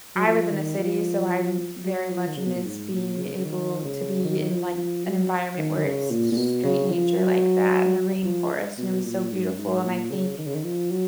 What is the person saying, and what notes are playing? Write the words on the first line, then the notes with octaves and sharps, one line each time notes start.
I live in the city, so I'm very much miss being able to be in, like, an environment where it's straight nature like that in the rainforest, and it was so beautiful, and I think
F#3
F3
D#3
F3
F#3
F3
D#3
C#3
B2
A#2
G#2
A#2
C#3
C#3
D#3
C#3
D#3
F3
F3
F#3
D#3
D#3
C#3
A#2
A#2
B2
C#3
F3
F#3
F3
B2
A#2
G#2
F#2
G#2
A#2
C#3
D#3
C#3
D#3
F3
F#3